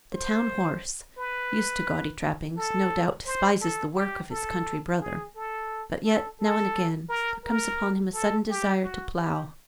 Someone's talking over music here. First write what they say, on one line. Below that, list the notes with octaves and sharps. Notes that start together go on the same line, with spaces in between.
The town horse, used to gaudy trappings, no doubt despises the work of his country brother; but yet, now and again, there comes upon him a sudden desire to plough.
C5
B4
A4
C5
A4
G4
A4
G#4
A4
A4
A4
A#4
A#4
A4
G4
F#4
G4